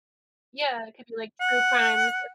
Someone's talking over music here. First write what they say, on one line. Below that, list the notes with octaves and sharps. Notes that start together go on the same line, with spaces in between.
Yeah, it could be like True Crimes,
F#5